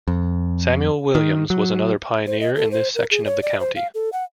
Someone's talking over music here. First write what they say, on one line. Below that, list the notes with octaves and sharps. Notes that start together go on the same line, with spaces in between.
Samuel Williams was another pioneer in this section of the county.
F2
D#3
F#3
C5
D#5
A4
C5
A#4
G#4
C#5
D5
C5
F5
A4
F#5